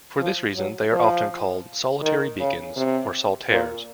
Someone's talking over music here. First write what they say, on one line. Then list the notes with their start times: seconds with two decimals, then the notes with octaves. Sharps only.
For this reason, they are often called "solitary beacons" or "solitaires".
0.19 F3
0.56 F#3
0.92 F3
2.02 D#3
2.40 C#3
2.77 C3
3.50 A#2